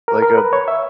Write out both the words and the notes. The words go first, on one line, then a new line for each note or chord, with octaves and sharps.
like, um
A#4
A#4
B4
C#5
E5